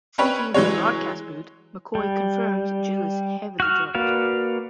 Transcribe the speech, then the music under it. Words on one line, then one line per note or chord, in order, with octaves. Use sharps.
Sneaking into the broadcast booth, McCoy confirms Gill is heavily drugged.
C4 C#4 B4 C#5
E3 F#3 G#3 C#5
G3
F#4 F6
A#3 F#4 B4 D5 F5